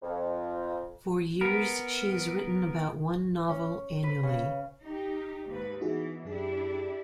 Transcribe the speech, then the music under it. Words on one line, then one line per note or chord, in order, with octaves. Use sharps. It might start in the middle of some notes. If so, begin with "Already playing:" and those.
For years she has written about one novel annually.
F2
B3 A#4
C#4
B4
C#3
D#4 G4
D#2 G#2 B4
E3 B3 D#4 F#4 G#4
F#2 D4 E4 G4 G#4